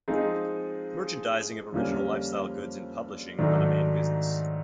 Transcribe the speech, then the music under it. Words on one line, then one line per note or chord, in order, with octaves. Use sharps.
Merchandising of original lifestyle goods and publishing are the main business.
F3 G#3 C4 D#4 G#4
F2 D3 G3 A#3 C#4
G#2 D#3 F#3 A3 D4